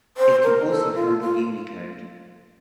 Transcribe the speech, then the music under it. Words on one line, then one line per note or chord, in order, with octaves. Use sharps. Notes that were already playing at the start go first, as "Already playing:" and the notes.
It can also handle Unicode.
C5
A#4
A4
F4
F4